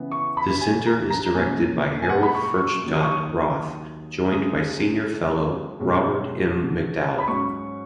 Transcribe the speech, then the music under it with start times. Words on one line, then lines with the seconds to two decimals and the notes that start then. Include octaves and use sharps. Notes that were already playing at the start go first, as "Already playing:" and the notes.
The center is directed by Harold Furchtgott-Roth, joined by senior fellow Robert M. McDowell.
Already playing: C#3 E3 B3
0.11 C#6
0.37 B5
0.61 G#5
0.86 A#5
1.10 A#5
1.26 A#5
1.35 C#2 B2 A#3 C#4 G#5
2.02 G#5
2.09 F#5
2.23 B5
2.35 C#6
2.58 C#6
2.83 D#2 D#3 F#3
2.93 D#6
3.02 C#6
3.11 D#6
4.31 C#2 C#3 G#3 D#6
5.79 E2 B2 G#3 C#4
7.19 B5
7.28 G#2 F#3 C#4 C#6